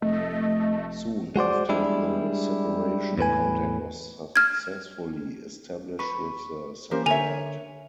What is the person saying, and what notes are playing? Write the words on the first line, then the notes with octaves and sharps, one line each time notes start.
Soon after the separation, contact was successfully established with the satellite.
F1 A3 D#5
G#3 F#4 C5 D5
G3 G#3 D4 E4
E2 A2 B4 G#5
F6 G#6
B4 C#6
E3 A#3 C#4 G4 A#4 C5
D3 A#4 C#5 E5 G#5 F7